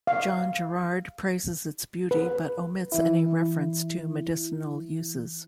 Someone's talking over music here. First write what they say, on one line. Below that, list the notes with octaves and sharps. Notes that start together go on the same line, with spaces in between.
John Gerard praises its beauty but omits any reference to medicinal uses.
F5
B4
E3 E4